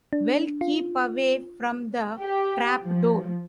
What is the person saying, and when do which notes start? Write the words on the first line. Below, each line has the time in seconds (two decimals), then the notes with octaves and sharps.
Well keep away from the trapdoor!
0.13 D4
0.61 F4
2.21 G4
2.81 F3